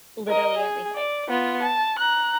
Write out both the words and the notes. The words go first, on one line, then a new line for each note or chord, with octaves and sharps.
Literally everything.
A#4 D#5
G#4
D5
B3 F4
A5
A#5 F#6